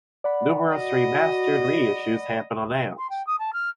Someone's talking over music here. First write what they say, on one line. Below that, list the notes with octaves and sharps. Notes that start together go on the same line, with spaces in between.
Numerous remastered reissues have been announced.
D5 F#5 B5
F#4 D#5
C6
G5
D#6
A5
F6